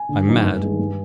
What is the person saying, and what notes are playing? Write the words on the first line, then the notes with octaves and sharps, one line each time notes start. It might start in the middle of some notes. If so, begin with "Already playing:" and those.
I'm mad.
Already playing: G#5
D3
F#3 B3 D#4
G2
D#3 G#3
G2